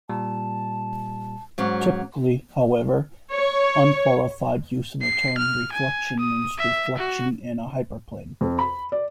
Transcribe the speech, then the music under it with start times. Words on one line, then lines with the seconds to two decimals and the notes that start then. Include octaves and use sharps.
Typically, however, unqualified use of the term "reflection" means reflection in a hyperplane.
0.09 A#2 G3 A5
1.58 G#2 F#3 C#4
3.31 C#5
5.01 C7
5.38 F6
5.72 G#5
6.20 D#6
6.58 E5
6.98 F#4
8.41 F2
8.59 B5
8.92 D5